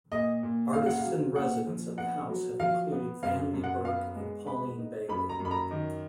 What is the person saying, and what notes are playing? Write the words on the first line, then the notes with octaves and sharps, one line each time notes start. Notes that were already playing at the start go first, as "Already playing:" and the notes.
Artists-in-residence at the house have included Vanley Burke and Pauline Bailey.
A#2 D#5
A#2
C#3 F5
F#5
F5
F#3
A#2 F#5
F3
B3 F#5
F#3
F3 F5
B3
F#2 F5
F#2
F#5
B3 F5
G#3
B3 B5
D#4
F#2 B5
A#5
F#2
B5
A#5
D#3